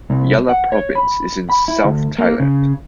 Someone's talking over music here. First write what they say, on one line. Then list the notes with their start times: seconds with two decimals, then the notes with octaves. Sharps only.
Yala Province is in south Thailand.
0.10 C2
0.49 F#5
0.72 C#5
0.95 B5
1.50 B5
1.68 E4
1.85 D2
2.19 A#3
2.40 C#3